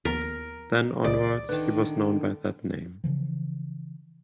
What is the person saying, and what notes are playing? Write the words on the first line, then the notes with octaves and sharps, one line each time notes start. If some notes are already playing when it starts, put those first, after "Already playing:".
Then onwards he was known by that name.
D#2 F3 B3 A#4 F6 A6 B6
C#2 C#3 E3 G#4 C5 D5 D#5
D3 D#3 B4
C#3 E3 F3